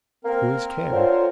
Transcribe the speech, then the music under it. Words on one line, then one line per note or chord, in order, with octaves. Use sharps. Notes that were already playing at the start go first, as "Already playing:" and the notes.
"Whose care?"
A#3 C4 A#4
D3 F4 C5 C#5